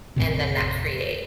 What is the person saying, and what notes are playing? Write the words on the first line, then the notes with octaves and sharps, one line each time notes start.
and then that create
A1 F2 A2 C3